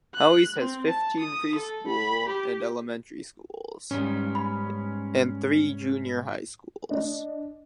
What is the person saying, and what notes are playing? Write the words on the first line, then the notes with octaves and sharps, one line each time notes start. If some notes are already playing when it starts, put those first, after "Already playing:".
Houilles has fifteen preschool and elementary schools and three junior high schools.
F#6
C4
A5
D#6
A4
B5
G4
G#2 G3 B3 C#4
B5
D4 D5 D#5